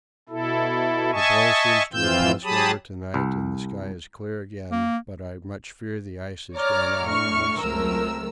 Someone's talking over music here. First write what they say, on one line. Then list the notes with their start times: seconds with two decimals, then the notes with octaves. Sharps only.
The blow seems to have passed over to-night and the sky is clear again, but I much fear the ice has gone out in the Strait.
0.29 B2 E4 A4
1.12 D#5 E5 G#5 A5 C#6
1.93 F2 E3 C4 F4 E6 G6
2.44 F#3 G4 G#4 A5 B5 D#6
3.14 C2
4.72 A#3
6.54 C#5 D5 A#5 D6 F6
7.06 A2 D4 C#6 F6
7.58 C#2 F#3 A3 C4 A#4 E6